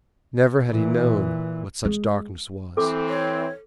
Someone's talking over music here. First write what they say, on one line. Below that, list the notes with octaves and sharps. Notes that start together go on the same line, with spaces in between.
Never had he known what such darkness was.
A#2 E3
G#3
E3 C4 A4 D6
C#5